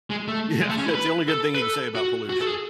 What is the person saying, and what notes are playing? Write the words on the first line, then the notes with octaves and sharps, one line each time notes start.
Yeah, it's the only good thing you can say about pollution.
G#3
A3
G#3
A3
C#4
E4
B4
A4
B4
A4
F#4
F#4
A4
G#4